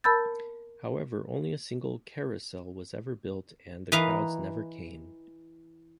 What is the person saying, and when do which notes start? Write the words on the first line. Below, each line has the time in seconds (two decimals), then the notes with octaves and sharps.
However, only a single carousel was ever built and the crowds never came.
0.04 A#4 A5 B5 E6 G6 A6
3.92 E3 B4 D#5 F5 A#5